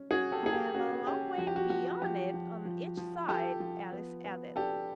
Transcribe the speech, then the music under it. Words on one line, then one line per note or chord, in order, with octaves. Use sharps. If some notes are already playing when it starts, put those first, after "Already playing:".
'And a long way beyond it on each side,' Alice added.
Already playing: C#4
C#4 F#4 G#4
G4 A4
A#3 G#4
G4
C#4 F#4
C#4 G4
F3 F#4
G4
F#4
F3 F#4
F3 G4
F3
F3
F3
F3 G4 A4
F3
B3
B3
D4 G4 A4